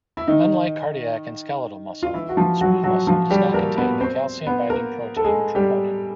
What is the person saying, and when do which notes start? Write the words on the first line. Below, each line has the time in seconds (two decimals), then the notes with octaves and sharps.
Unlike cardiac and skeletal muscle, smooth muscle does not contain the calcium-binding protein troponin.
0.17 E4
0.27 D#3 D#4
2.03 F4
2.14 E3 E4
2.29 F#4
2.37 F3 F4
2.61 F#3 F#4
2.83 F#3 F#4
3.07 F3 F4
3.30 G3 G4
3.54 A#3 A#4
3.77 B3 B4
4.01 C4 C5
4.47 B3 B4
4.70 A#3 A#4
5.17 A4
5.25 G#3 G#4
5.55 G3 G4